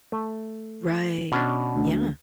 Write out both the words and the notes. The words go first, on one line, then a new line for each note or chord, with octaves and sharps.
Right, yeah.
A3
B2 C#4 D4
D2